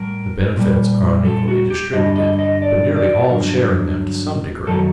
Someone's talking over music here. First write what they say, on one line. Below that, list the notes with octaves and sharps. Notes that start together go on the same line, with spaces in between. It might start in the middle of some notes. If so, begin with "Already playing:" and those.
The benefits are unequally distributed, but nearly all share in them to some degree.
Already playing: A2 G3 A#4
A#2 G3
A4
F#4
G4
G2 D3 G3 D#5
D#5
D#5
D5
D5
G2 D3 F#3 A#4
F#2 D#3 F#3 A4